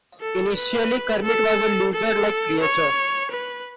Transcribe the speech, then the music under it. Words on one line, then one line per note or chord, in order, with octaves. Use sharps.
Initially, Kermit was a lizard-like creature.
A4
B4
A4
A4
C#5
B4